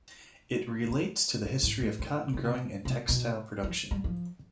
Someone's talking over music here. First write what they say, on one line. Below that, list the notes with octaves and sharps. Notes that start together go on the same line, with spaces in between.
It relates the history of cotton growing and textile production.
F2
E2
A2
A2
A2
C#3
C3
B2
C3
B2
B2
F3
G3
F3